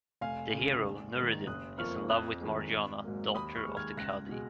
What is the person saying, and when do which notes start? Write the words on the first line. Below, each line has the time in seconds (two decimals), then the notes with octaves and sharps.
The hero, Nureddin, is in love with Margiana, daughter of the Cadi.
0.21 F1 F5 G#5
0.53 D#2 C#3
0.85 A#1
1.16 G#2 D#3 A#3
1.47 F#1 D#6 F#6
1.78 F2 F3 A#3 C#6 F6
2.09 F2 D#6 F#6
2.41 D#3 G#3
2.72 G#1
3.04 G#2 F#3 A#3
3.34 D#2 B5 D#6
3.56 C#6 F6
3.66 D#3 G#3
3.77 F6 G#6
3.97 C#2 F#6 A#6
4.29 B2 G#3